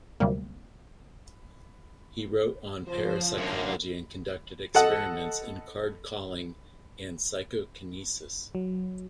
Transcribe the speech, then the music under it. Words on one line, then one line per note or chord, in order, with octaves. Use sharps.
He wrote on parapsychology and conducted experiments in card-calling and psychokinesis.
D2 C3 F#3 G3 A#3
C#3 F3 C5
F#2 D3 A#4 C#5 F5
A4 D#5 F#5
F#3